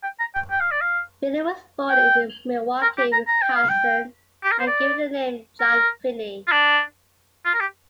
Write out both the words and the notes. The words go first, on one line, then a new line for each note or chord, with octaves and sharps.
Finney was born in Milwaukee, Wisconsin and given the name John Finney.
G5
A#5
G5
G5
F5
D5
F5
G5
A#4
G4
A#5
A#5
G5
F5
G5
G4
A#4
C5
D5
A#4
F4
D4
F4
A#4
G4